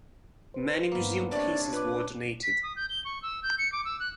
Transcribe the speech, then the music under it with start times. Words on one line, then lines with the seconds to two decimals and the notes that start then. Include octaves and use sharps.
Many museum pieces were donated.
0.54 B4 C5
0.92 G2 A#3 B3
1.31 C3 D4 C#5 D5
1.72 F4 B4 D6
2.43 B6
2.63 D#6
2.76 G6
2.89 G7
3.05 C#6
3.22 E6
3.43 G6
3.59 C#7
3.72 D6
3.85 E6
4.00 F#6